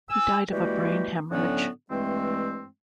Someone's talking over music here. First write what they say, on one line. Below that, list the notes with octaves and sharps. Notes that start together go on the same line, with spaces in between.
He died of a brain hemorrhage.
G#5 E6
E3 G3 G#3 A#3 F#4 G4
A2 D3 F#3 B3 C#4 F#4
G2 E3 G#3 A3 C4